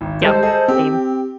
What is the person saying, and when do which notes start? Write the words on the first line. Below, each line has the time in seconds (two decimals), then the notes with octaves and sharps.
Yep. Same.
0.01 G#1
0.22 G3 G#3 A4 C5
0.42 G#4 A4 D#5
0.68 C4 G4